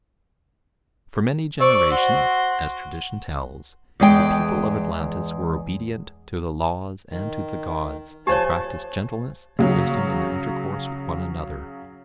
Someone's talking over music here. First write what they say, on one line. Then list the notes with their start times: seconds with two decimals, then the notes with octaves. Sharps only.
For many generations, as tradition tells, the people of Atlantis were obedient to the laws and to the gods, and practised gentleness and wisdom in their intercourse with one another.
1.61 C5 D5 C#6 E6
1.91 F#4 C6
4.00 E2 G#3 G5
7.11 D#3
8.27 F3 G4 C5 C#5 G#5 A5
9.59 C#3 F#3 C#4